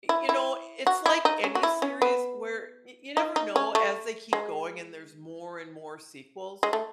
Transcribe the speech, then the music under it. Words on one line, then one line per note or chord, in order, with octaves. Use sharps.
you know, it's like any series where y you never know, as they keep going and there's more and more sequels,
E4
E4
F#4
E4
D#4
C#4
F#4
E4
C#4
B3
D#4
D#4
C#4
A3
G#3
G#3
A3